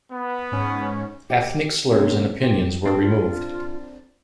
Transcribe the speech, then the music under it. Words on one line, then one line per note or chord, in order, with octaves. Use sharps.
Ethnic slurs and opinions were removed.
B3
G#2 C#4
G4
D#2 C3 A#3 C#4
C4 G4
C4 D4 A4 G5
F4